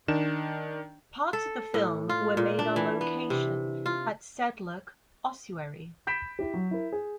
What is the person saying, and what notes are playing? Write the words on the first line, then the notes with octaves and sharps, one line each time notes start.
Parts of the film were made on location at Sedlec Ossuary.
D#3 D4 E7
A4
A2
F4
A#2
D4
E3
B3
C3
F4
B5 G6 B6 D7 E7
E4 G4
F#3
E4 A#4
G#4